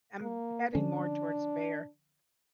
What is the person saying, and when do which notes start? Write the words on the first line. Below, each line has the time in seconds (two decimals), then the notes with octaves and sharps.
I'm heading more towards bear.
0.23 A#3
0.75 D3 F3 C#4 D4